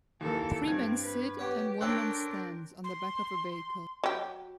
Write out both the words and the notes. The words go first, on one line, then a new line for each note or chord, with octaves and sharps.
Three men sit, and one man stands, on the back of a vehicle.
D#2 E3 A#3 A4
G2 C4 G#6
B4
B3 G4 C#5
D4 A4 A#4 C5 C#5 G5 F#6
C6
F#3 G4